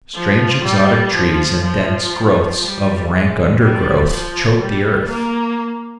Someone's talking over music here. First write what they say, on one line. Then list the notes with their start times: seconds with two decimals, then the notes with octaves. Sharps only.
Strange exotic trees and dense growths of rank undergrowth choked the earth.
0.15 F3
0.64 G3
1.13 F3
1.63 F3
2.62 G3
3.11 G#3
3.61 G3
4.10 F3
4.60 G3
5.09 A#3